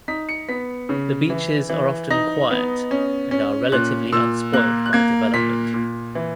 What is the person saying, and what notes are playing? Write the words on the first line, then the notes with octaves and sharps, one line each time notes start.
The beaches are often quiet and are relatively unspoilt by development.
D#4 B6
C#7
B3 B6
C#3
E3
E3
D#4 A#6
B3
C#4
C#4
A#2 F#6
A#2 E6
A#3 F#6
F#6
A#3 G#6
A#2 B6
A#2
E3